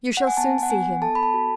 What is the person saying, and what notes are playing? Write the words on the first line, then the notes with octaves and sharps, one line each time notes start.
You shall soon see him.
F#5
G#5
B3 A5
F#5
B3 G#5
A4 A5
B5
A5
F#4